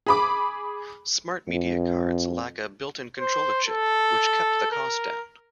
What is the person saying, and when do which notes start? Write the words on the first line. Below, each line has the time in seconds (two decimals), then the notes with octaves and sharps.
SmartMedia cards lack a built-in controller chip, which kept the cost down.
0.06 G#4 B5 D6
1.48 F2
3.20 C5
3.67 A4
4.72 A#4